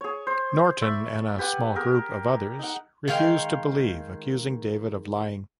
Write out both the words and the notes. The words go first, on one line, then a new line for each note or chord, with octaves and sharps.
Norton and a small group of others refuse to believe, accusing David of lying.
G#4 C#5
C5
D5 E5 B5 C#6
G4 B4 F#5 G#5
G4 G#4 A#4
D#4 F#5
D#3 G#3 F5 G5